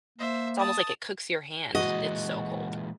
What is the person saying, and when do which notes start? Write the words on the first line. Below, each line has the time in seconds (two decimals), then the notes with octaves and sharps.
it's almost like it cooks your hand, it's so cold.
0.18 A#3 C5 E5
0.59 A5 D#6
1.75 A#2 E3 G#3 F#4 D#5